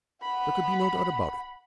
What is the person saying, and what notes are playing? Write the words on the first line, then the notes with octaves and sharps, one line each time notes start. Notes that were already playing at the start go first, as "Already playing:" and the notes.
There could be no doubt about it.
F#5 B5